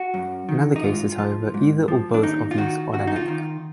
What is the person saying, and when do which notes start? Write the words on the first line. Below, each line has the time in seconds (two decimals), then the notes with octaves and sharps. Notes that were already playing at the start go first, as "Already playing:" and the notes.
In other cases, however, either or both of these are dynamic.
Already playing: F#4
0.14 F#2
0.49 D#3
0.76 D#4
0.83 G#2 F4
1.18 F3
1.54 G#2
1.88 F3
2.14 D4
2.23 D#2 D#4
2.51 F4
2.58 D#3 F#4
2.93 D#2 F#4
3.07 D#4
3.16 F4
3.28 D#3